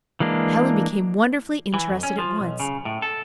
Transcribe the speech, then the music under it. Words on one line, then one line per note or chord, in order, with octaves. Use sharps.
Helen became wonderfully interested at once.
E3 G#3 A#3 D4
E3
F2
C#4
F3
B1
C#3
A2
A4